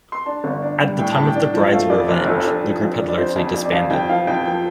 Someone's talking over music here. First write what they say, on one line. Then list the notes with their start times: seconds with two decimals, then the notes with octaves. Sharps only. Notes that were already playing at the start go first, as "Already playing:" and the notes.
At the time of The Bride's revenge, the group has largely disbanded.
0.12 C6
0.26 D4 A5
0.44 G1
0.62 D4
0.80 G3
0.99 A2 G5
1.12 A5
1.17 A2
1.25 G5
1.35 D4
1.54 F3
1.72 A3 F5
1.90 F2 D5
2.08 F1 D5
2.26 F2 A4
2.45 D4 A4
2.63 F3
2.81 F2
3.00 D4
3.09 D5
3.17 F2 C5
3.36 F2 D5
3.54 F2 D5
3.65 D5
3.72 F2 F5
3.91 F2 G5
4.09 F3 F5
4.27 F2 G5
4.45 F3 G5